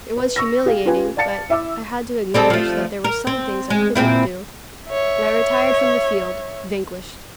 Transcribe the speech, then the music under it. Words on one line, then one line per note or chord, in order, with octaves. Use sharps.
It was humiliating, but I had to acknowledge that there were some things I could not do, and I retired from the field, vanquished.
B4
C#6 E6 A#6
G4 G#4 F5
C#4 F4 G4 B4 G#5
D5 F5 A5 A6 C#7
E4 E5 D6 E6
G3 C4 A4
F3 A3
A#4
C4
G#3
A#2 C4 E4
C#5 E5